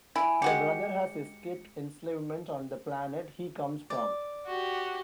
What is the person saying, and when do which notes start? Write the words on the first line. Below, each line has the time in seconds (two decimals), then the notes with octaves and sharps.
The Brother has escaped enslavement on the planet he comes from.
0.16 E4 G#5
0.42 G#3 F#4 G4 C#7
3.90 D5
4.46 F#4 G4